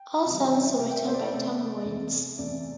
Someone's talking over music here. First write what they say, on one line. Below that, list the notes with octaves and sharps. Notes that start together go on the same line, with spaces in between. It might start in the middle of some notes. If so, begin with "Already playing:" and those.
All songs written by Tom Waits.
Already playing: G5
C3 E3 G3
C5
D5
E5
C3 A3 G5
G5
E5
C5
D5
C3 A3
E2 C3 A3
E2 C3 A3 D5